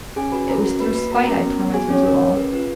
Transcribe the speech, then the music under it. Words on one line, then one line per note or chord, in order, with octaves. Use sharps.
It was through spite I tormented you all.
C#4 G#4 G#5
F#4 B4 B5
C#4 A#4 A#5
F#4
A#3 B4 B5
A#3 B4 B5
F#4 A#4 A#5
C#4 A#4 A#5
B3
B3
F#4 G#4 G#5
C#4 D#4 C#5
C#4 A#4
C#4
G#4 B4
F4 B4